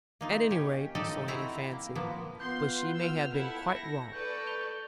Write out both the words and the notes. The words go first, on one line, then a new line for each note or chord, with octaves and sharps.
At any rate so Annie fancied, but she may have been quite wrong.
A#3 D#4 F4
C#4 G4 C#5
D#4 F4 G4 A4 D5 D#5
C4 E4 F#4 A#5
A#3
F3 A#3 B3
B3 F4 C6 G6
E6 F6
E4 A4 E5 F#5
A#6 C#7
A4 B4 D5 C#6 G6
G6 F7 G7